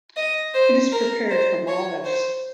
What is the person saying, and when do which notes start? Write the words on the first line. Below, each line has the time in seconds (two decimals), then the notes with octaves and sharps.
It is prepared from olives.
0.16 D#5
0.54 C5
0.92 A#4
1.30 C5
1.68 C#5
2.05 C5